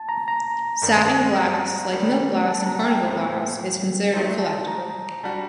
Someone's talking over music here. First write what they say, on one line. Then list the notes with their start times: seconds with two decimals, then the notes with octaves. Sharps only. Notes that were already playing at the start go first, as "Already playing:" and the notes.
Satin glass, like milk glass and carnival glass, is considered a collectible.
Already playing: A5
0.09 A#5
0.28 A#5
0.82 G2 D#3 G3
1.37 A#5
1.93 D#3 G3 D4
2.48 A5
2.67 A#5
2.84 G5
3.03 A2 A3 C4
4.13 F#3 A3 D#4 A4 C5 A5
4.41 A5
4.68 A#5
5.23 G3 D4 F#4 A5